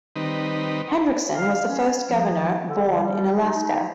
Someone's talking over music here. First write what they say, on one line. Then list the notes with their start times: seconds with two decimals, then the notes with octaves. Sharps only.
Hendrickson was the first governor born in Alaska.
0.16 D#3 G3 C4 D#4 B4
1.35 F5
1.69 C#4
2.11 F3
2.67 D3
2.94 G3
3.42 D#4
3.55 D#4